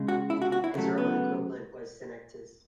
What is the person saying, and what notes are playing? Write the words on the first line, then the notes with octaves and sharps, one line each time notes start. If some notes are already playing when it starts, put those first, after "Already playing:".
His Roman equivalent was Senectus.
Already playing: C#3 G#3
F#4
E4
F#4
F#4
E4
C#3 F#3 A3
B3